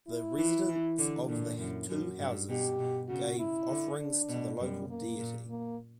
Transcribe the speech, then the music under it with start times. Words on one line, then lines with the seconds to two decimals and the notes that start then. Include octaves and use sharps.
The residents of the two houses gave offerings to the local deity.
0.08 E4
0.38 E3
0.68 E3
0.98 D3
1.29 A#2 D4
1.58 F#2 E4
1.89 F#2 F#4
2.19 G2
2.49 B2 G4
2.79 B2
3.08 C#3 F#4
3.39 E4
3.69 D3
3.99 D4
4.29 B2
4.59 F#2 G3
4.89 A#3
5.19 A#2
5.50 A#3